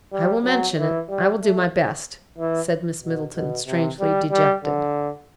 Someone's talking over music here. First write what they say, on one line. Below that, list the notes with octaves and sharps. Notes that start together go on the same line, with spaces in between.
"I will mention it: I will do my best," said Miss Middleton, strangely dejected.
G3
F#3
E3
G3
A3
E3
B2
B2
C3
G3
G3
D3